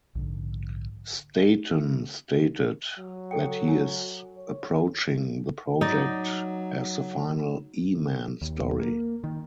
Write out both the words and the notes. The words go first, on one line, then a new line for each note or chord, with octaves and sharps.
Staton stated that he is approaching the project as the final E-Man story.
A#1 G#2 D3
F#3
G4 A4 G5
G#5
C#5
F#3 D#4 D5
D#2
A#3
D#3